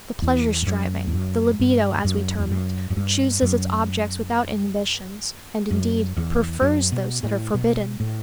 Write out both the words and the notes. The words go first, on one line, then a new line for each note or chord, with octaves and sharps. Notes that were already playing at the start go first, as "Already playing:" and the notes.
The pleasure-striving--the libido, as we term it--chooses its objects without inhibitions, and indeed, prefers those that are forbidden.
E2
G2
F#2
E2
F#2
G2
F#2
E2
F#2
F#2
G2
F#2
F#2
E2
F#2
B2
A2
B2
A2